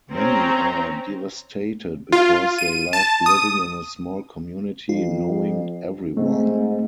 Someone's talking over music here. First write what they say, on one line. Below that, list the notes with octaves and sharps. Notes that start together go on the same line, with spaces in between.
Many are devastated because they loved living in a small community, knowing everyone.
C4 C#4 A#5
F4
D#7
A5
D#6
F2 F4
G#2 A3 C4